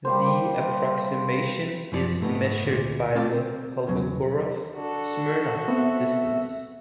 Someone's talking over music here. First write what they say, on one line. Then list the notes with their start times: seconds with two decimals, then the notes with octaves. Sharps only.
The approximation is measured by the Kolmogorov-Smirnov distance.
0.05 G3 A#3 C5
1.92 F#2 F3 C5 D5
2.21 G#2 A3 B3 D#4
2.64 D2 A#2
3.15 A3 C4 F4 D5
3.33 C4
3.87 B1 E2 C#3 F#3
4.75 D4 F#4 A4
5.68 B3 C4 E5